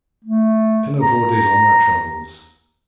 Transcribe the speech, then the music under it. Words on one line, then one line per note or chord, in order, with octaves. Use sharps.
Pianofortes on Their Travels.
A3
A#5